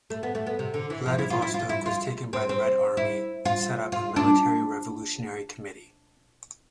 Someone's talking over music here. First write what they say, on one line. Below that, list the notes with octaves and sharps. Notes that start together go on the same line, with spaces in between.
Vladivostok was taken by the Red Army and set up a Military Revolutionary Committee.
A3
B3
A3
B3
C3
D3
E3
F3
E4
F4
E4
F4
E4
F4
C4
C4
E4
F4
F4
D4